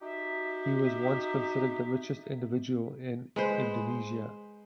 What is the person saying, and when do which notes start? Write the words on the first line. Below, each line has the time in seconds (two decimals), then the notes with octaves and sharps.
He was once considered the richest individual in Indonesia.
0.02 D#4 F#4 G4 E5
3.36 G#3 B4 C5